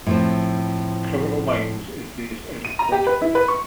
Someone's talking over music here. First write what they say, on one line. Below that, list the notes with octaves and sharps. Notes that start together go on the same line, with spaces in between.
"Criminal Minds" is based out of Quantico.
A2 F3 C4
D#7
A#5
G4
B4
E4
B4
C#6